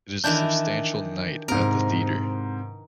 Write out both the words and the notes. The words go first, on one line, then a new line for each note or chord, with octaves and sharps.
It is a substantial night at the theatre.
D#3 E3 D4 G6
G#2 C3 A#4